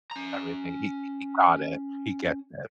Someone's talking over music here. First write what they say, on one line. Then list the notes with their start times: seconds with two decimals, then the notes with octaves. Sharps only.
Everything, he he got it. He gets it.
0.11 C#4 A#5